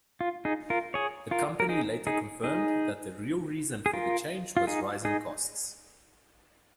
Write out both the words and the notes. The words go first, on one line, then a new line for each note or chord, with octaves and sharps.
The company later confirmed that the real reason for the change was rising costs.
F4
D#4 G#4
F4 A#4
G#4 C#5
F4 A#4
A#4
D#4 G#4
D#4 G#4
D#4 G#4
G#4
F4 A#4
F4
D#4 G#4
D#4 G#4